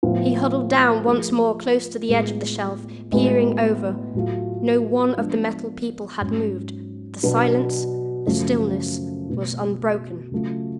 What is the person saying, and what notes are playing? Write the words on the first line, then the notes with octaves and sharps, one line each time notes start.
He huddled down once more close to the edge of the shelf; peering over. No one of the Metal People had moved; the silence, the stillness, was unbroken.
A2 F3 B3 F4
F3 A3 F4 G#4
A2 G#3 B3 F4 G#4
A2 G#3 B3 F#4
A2 F#3 A3 F4
F3 G#3 B3 D4
G#2 F#3 C#4
B2 F#3 B3 D4
F#2 C#3 F3 A3
B2 F#3 A3
C#3 F#3 A3 F4